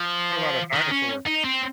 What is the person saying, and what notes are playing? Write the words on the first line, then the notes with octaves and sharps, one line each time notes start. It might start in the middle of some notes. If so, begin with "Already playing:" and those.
What about a dinosaur?
Already playing: F3
D#3
C#4
D#4
C4